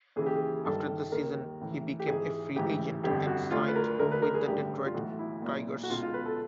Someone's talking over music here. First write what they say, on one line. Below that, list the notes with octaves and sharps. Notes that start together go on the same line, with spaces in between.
After the season, he became a free agent and signed with the Detroit Tigers.
D#2 C#3 E3 G#4
G4
G#4
G1 G2 D#3 A4
D#2 D#3 A#4
A1 A2 E3
G4
G#1 G#2 E3 G#4
A1 G#2 E3 G4
G1 F2 D3 G4
F#4
D2 D3 F4
B4
A#4
E1 D2 D3 A#4
B4
A#4
G#4
A1 G2 D3 G4
F4
B1 A2 E3 F#4
E4
B1 A#2
F#4
C#2 B2 F4
F4
B4
A4